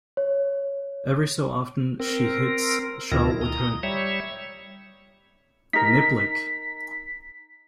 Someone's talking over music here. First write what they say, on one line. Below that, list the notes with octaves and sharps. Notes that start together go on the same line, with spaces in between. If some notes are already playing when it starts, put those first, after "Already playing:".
Every so often she hits Shaw with her niblick.
C#5
C4 A#4
D2 A#2 D#3 E4 F4 A#6
A#5 D#6
G3 C#5 E5
D#4 A#4 B6